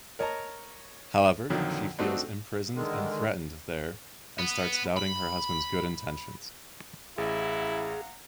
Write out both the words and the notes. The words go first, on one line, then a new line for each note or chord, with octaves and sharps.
However, she feels imprisoned and threatened there and starts doubting her husband's good intentions.
A#4 C#5 D#5 A5 A#5
F2 A#2 D3 D#3 F3 F#3
A3 C4 D4 D#4 F#4 A4
D3 D#3 G#3
B3
B5
A1 E4 G#4 F5 F#5 A#5